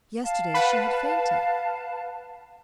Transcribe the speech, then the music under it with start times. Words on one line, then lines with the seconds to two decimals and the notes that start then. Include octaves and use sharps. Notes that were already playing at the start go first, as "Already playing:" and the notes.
Yesterday she had fainted.
0.23 F5 A5
0.54 B4 F#5